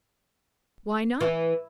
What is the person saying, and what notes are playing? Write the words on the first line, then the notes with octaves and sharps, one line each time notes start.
Why not?
E3